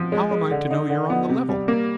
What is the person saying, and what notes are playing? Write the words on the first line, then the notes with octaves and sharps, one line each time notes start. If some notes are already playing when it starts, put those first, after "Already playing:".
"How am I to know you're on the level?"
Already playing: F3
G#3
G#3
D3
D#4
D3
B3
C3
G3
A#3